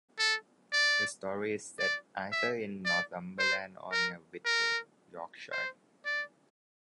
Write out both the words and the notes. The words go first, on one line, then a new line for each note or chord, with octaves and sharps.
The story is set either in Northumberland or near Whitby, Yorkshire.
A4
D5
D5
E5
D5
C5
A#4
A#4
C5
D5